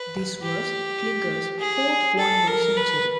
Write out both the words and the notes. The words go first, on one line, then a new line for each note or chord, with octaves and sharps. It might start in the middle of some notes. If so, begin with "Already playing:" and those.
This was Klinger's fourth one-day century.
Already playing: B4
G4
G#4
A4
A#4
B4